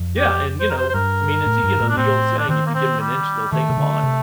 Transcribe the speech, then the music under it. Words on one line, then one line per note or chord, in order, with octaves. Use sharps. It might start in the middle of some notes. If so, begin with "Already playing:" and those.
yeah, and, you know I mean, it's you know, the old saying, "If you give 'em an inch, they'll take a mile."
Already playing: F2
G4
C5
A#4
C5
C5
G2 A#4
A2
G2
A2
D4
A2 C4
D4
D#3 C4
A#3
C4
G3
D#3 A3
C3
D3
C3